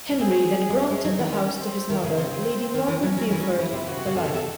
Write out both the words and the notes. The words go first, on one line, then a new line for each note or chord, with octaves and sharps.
Henry then granted the house to his mother Lady Margaret Beaufort, for life.
C#4
C4 G#4
G#3
A3 C#4
G#3
F#3 D#4
E3
D#3 C#4
C4
D#3 A3
C#3
C#3 C4
C#3
D#3
E3
F#3 C#4
F#3
E3
F#3
G#3
E3 E4
C3
C#3 F#4
C3
C#3
C3 A4
C#3
C3